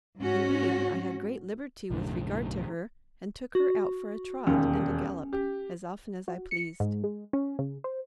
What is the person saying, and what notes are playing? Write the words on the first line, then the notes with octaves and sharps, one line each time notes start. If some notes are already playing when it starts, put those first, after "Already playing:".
Indeed, I had great liberty with regard to her, and took her out for a trot and a gallop as often as I pleased.
G#2 C#4 F#4
B1 F#2 A2 D3
F#4
E1 D#2 C#4
G4
F#4
C#7
G#2
G#3
C#4
C#3
C5